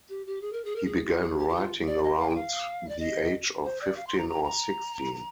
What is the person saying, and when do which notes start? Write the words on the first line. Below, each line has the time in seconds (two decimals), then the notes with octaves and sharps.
He began writing around the age of fifteen or sixteen.
0.09 G4
0.26 G4
0.41 G#4
0.53 A#4
0.65 G#4
0.76 A#4
0.86 G#4
1.06 F4
1.22 G#4
1.39 G4
1.49 G4
1.55 F4
1.87 D5
2.04 D#5
2.19 F5
2.29 G5
2.35 F5
2.89 D5
2.99 D#5
3.64 C5
3.81 D5
3.97 F5
4.07 C6
4.18 A#5
4.29 A#5
4.44 A#5